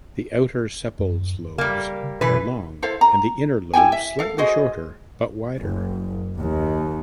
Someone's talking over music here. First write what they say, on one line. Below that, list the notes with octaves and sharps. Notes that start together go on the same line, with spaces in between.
The outer sepals lobes are long and the inner lobes slightly shorter but wider.
F#2
C#3 G3 A#3
B2 E3 B4
E4 A4 C5 F5
A#5
E4 G4 G5 G#5
E5
A4 F5
F#4 G#4 C5 D#5
F#1
D#2